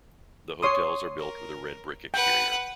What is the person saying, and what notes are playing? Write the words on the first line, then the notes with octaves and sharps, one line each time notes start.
The hotels are built with a red brick exterior.
C#5 C6 D#6
A#4
B4 F#5 G5